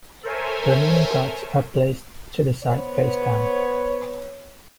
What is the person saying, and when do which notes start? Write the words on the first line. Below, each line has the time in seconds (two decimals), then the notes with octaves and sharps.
The remaining cards are placed to the side face down.
0.23 A4 A#4 C5 C#5 E5 G#5
2.63 B3 C5 C#5